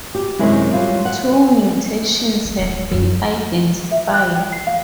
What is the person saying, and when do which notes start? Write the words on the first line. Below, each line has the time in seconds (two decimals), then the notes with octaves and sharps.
Two mutations have been identified.
0.15 G4
0.39 F#2 C3 D#3 F#3 G#3 E4
0.73 F#3 G3 F4
1.05 F#5
2.45 G#3
2.59 D1
2.92 F#2
3.91 E5
4.14 F#6
4.36 G5
4.52 C7
4.67 F5